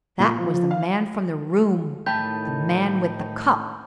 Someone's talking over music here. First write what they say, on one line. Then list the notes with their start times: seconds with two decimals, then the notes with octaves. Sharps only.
That was the man from the room--the man with the cup!
0.19 A#2
0.38 F3
0.54 F3
0.71 F5
2.06 A2 D#3 A3 D#4 G4 A5 B5 G6